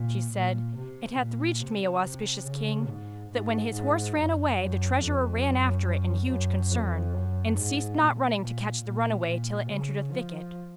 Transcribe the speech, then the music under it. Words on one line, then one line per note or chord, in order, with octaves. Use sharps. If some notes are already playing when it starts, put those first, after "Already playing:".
She said, It hath reached me, O auspicious King, that when his horse ran away, the treasurer ran after it in huge concern, and ceased not running to catch the runaway till it entered a thicket.
Already playing: A#2
A#2
C3
A#2
C3
C3
C#3
G#2
G#2
G#2
F#2
F#2
F2
F#2
F#2
F2
F#2
G#2
A#2
A#2
A#2
A#2
C#3
F3